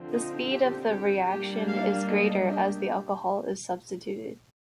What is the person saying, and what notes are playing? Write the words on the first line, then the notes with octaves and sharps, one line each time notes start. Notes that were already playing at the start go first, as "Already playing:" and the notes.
The speed of the reaction is greater as the alcohol is substituted.
Already playing: D3 F3 C4
D#4
G4
G4
G3 A#3 D4 G4
F5
D#5
G4